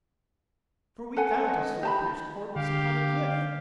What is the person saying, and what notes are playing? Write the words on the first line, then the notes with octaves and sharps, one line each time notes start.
For we found his sword-pierced corpse upon a cliff.
A4 B4 F#5 G#5
B4 D#5
G4 A5 B5
D3 G4 F5